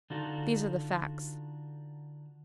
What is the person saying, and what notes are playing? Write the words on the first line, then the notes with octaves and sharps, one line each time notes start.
These are the facts.
D3 D4 D#4 F4 F#4 A4